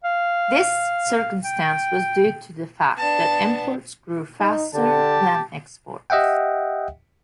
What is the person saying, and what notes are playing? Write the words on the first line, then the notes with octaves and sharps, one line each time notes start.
This circumstance was due to the fact that imports grew faster than exports.
F5
G5
B3 D4 A5
D#4
D3 G4 A5
G4 D#5 E5 F#5 G5